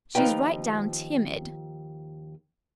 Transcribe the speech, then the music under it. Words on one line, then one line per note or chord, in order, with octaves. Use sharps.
She's right down timid.
D#2 F3 D#4 F4 B4 G5